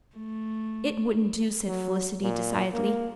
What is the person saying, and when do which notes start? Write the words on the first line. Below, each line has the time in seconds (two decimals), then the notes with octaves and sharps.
"It wouldn't do," said Felicity decidedly.
0.17 A3
1.69 F#3
2.23 A#2
2.73 A#3